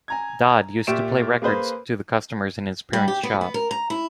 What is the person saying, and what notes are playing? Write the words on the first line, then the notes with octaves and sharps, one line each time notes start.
Dodd used to play records to the customers in his parents' shop.
G#5 A#5 G#6
A#2 G4 E5 C#6 D7 E7
A#3 G#4 B4 C5
G3
G4
B3
B3
A#4
A#5
E4